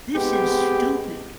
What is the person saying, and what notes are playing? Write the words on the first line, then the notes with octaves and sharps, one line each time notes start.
this is stupid.
G#3 B3 C4 G4